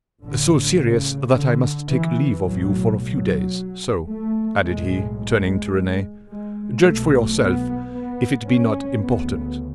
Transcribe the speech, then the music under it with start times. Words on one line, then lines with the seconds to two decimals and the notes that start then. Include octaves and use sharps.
"So serious that I must take leave of you for a few days; so," added he, turning to Renee, "judge for yourself if it be not important."
0.23 A1 A2 D3
0.79 C#3
1.33 D3
1.89 E3
2.43 B1 A2 F#3
2.98 F#3
4.08 A3
4.63 B1 A2 G#3
5.18 G#3
6.28 G#3
6.83 B1 B2 A3
7.37 B3
7.93 B3
8.48 C#4
9.02 D2 C#3 B3